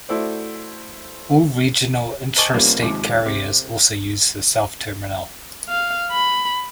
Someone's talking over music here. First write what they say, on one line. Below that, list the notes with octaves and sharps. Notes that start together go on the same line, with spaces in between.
All regional intrastate carriers also use the South Terminal.
A3 E4 F#4 A4 C5 D5
C5 D#5 G#5 A5 C#6 D6
C3 F3 G3 A#3 B3 C#4
D#2 G#2 C3 F3
C3
F5
B5